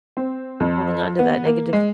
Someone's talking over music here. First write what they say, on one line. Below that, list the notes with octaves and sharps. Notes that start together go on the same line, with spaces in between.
Holding on to that negative,
C4
F2
B3
A#3
G#3